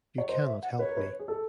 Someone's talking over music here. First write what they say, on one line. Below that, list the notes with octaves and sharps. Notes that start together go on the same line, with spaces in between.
You cannot help me.
C#5
C5 D#5
E5
F#5
B4 C#5
A#4
B4
G#4
A4